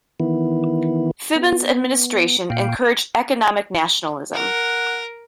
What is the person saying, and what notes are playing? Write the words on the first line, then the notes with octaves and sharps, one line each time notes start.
Phibun's administration encouraged economic nationalism.
D#3 E3 B3 E4
B3
A#2 F5 G5
A#4 F#5